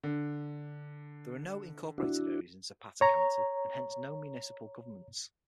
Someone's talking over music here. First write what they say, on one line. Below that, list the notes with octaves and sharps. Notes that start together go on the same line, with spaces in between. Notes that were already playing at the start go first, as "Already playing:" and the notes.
There are no incorporated areas in Zapata County and hence no municipal governments.
D3
D4 E4 F#4
C#5 A#5